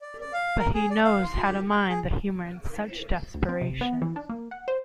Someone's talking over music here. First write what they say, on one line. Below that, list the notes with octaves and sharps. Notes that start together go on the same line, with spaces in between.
But he knows how to mine the humor in such desperation.
D5
D5
F5
A#4
G#4
D5
F5
C6
G4
G5
G#4
D2
C4
C3
B3
E3
D4
A#3
F#5
C5